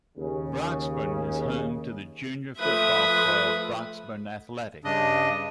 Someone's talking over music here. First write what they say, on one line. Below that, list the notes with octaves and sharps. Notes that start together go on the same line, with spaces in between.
Broxburn is home to the junior football club Broxburn Athletic.
D#2 C#3
F3 A3 B4 E5 D#6
G2 C#3 D4 D#5